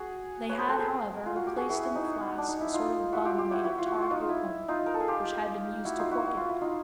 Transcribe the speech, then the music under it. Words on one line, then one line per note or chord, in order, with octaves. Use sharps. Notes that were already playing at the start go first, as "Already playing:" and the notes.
They had, however, replaced in the flask a sort of bung made of tarred oakum, which had been used to cork it.
Already playing: F#4 G#4
B4 C#5
A#4 C5
A4 B4
G#4 A#4
F4
F#4
G4
F#4 G#4
E4 F#4
E4
D#4
D4
D#4
E4
D#4 F4
E4 F#4
F4 G4
F4 G4
E4 F#4
E4 F#4
F4
F#4
F4
F#4
D#4 F4
E4
D#4 F4
A#4
A4
G#4
F4 G4
E4 F#4
D#4 F4
E4 F#4
F#4
F4
E4
D#4 F4